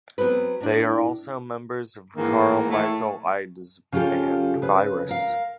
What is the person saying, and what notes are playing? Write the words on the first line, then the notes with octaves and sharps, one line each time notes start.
They are also members of Carl-Michael Eide's band Virus.
F#3 B3 C4 B4
A2 D4
G#2 D#3 E3 A#3
A2 A3
C#3 C#4 F4 G4 A4
C#3 B4
A#4 F5